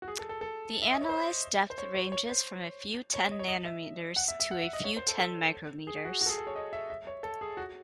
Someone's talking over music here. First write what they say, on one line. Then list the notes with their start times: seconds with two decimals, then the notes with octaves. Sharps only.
The analyzed depth ranges from a few ten nanometers to a few ten micrometers.
0.02 F#4
0.08 G#4
0.19 A4
0.29 A4
0.41 A4
0.82 E5
0.92 D#5
1.01 C#5
1.09 C5
1.70 C5
1.78 C#5
1.94 C#5
2.12 C#5
2.29 C5
3.14 C#5
3.31 D#5
3.39 C#5
3.48 D#5
3.65 E5
4.16 F#5
4.28 E5
4.40 E5
4.51 F#5
4.61 E5
4.73 D#5
4.84 C#5
4.97 C5
5.08 A4
5.19 A4
5.87 G#4
6.05 F#4
6.21 F#4
6.26 A4
6.29 G#4
6.38 A4
6.47 C#5
6.56 D#5
6.73 E5
6.90 E5
7.07 C#5
7.23 A4
7.41 G#4
7.57 F#4